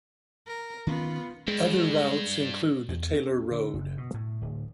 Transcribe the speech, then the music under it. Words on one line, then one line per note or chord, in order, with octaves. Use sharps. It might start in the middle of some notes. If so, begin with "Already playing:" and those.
Other routes include Taylor Road.
A#4
D#3 B3 C#4 F4
G2 G#3
E2
C#4
D3
F#1
B2
A2
D1